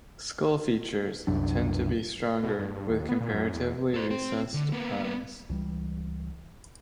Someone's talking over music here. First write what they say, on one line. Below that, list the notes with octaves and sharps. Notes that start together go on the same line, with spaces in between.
Skull features tend to be stronger, with comparatively recessed eyes.
C2 F#2 D4
B2
G2
G2
D#2
B3
A#2
F#2
E2
A4 C5
C4 C5
D3
A#3 B3
C#2 E3 G3